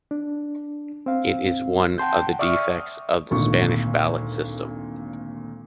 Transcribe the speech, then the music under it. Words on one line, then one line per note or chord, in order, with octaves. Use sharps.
It is one of the defects of the Spanish ballot system.
D4
C4 F5
F#5 G5 A5 C6 G6
D5 E5 C#6 D#6 F6
G#1 D2 A#2 C#6